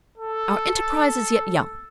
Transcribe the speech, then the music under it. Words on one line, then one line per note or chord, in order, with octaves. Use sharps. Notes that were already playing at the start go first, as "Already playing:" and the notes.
'Our enterprise is yet young.
A4